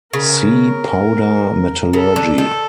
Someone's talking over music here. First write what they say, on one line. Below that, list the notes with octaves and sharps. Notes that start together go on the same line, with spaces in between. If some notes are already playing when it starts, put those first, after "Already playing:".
See powder metallurgy.
C#3 A#4
C#3 A4
D3
D#3 A4